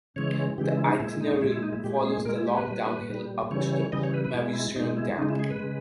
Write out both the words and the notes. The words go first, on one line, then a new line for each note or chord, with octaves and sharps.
The itinerary follows the long downhill up to the Mauvoisin.dam.
C#3 E3 G#3 C#5
C#3 E3 G#3 G4
E4
D#4
A#2 G#3 E4
D#4
A#2 G#3 E4
E4
D#4
E4
A#2 G#3 G4
G#4
A#2 G#3 A#4
E4
G4
B4
A#2 G3
A#2 G3
C#3 E3 G3 C#5
C#5
C#3 E3 G3 D#5
C#5
B4
B4
B2 G#3 E4
B2 G#3 D#4
E4
C#3 G#3 D#4
E4
G#4
B4
C#3 G#3